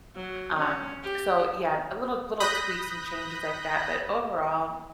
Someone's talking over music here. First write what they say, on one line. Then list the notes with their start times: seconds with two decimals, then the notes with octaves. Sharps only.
Um, so, yeah, a little little tweaks and changes like that, but overall,
0.15 F#3
0.56 C#4
1.03 G4
2.40 B5 D#6 F#6 G6 A#6 B6